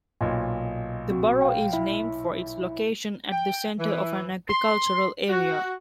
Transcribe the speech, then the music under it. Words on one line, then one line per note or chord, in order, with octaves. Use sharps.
The borough is named for its location at the center of an agricultural area.
B1 A#2 D#5
C4 F#4
F5 G5
E4 E5
G5
E3
C6
F#4